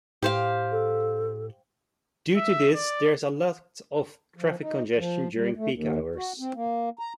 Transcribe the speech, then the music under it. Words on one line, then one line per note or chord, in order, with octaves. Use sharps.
Due to this there is a lot of traffic congestion during peak hours.
A2 G4 C5 F5
A4
E5
D5
F3
D#4
F3
G3
A3
D#2
F#4
C4
A#3
A#5